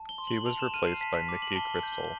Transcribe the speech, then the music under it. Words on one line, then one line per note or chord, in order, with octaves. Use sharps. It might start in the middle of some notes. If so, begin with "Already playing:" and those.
He was replaced by Micky Crystal.
Already playing: A5
G7
C6
F#7
F#7
A5 F7
E7
F6 D#7
C7
A5 B6
B6
D6
F#7
A5 G7
G7
F#7
G6
G7